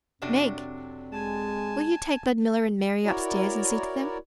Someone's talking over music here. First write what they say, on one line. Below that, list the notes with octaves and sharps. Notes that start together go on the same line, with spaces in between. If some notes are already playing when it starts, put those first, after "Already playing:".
Meg, will you take Ludmilla and Mary upstairs and see to them?
F2 C3 F#3 D4
G#3 G#5 A5
E4 F#4 A#4 C#5 D5